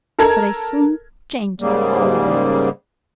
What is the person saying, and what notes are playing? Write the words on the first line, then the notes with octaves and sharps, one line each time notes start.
But I soon changed all that.
A4 A#4 A5 A#5 G#6
G#2 C#3 G3 A#3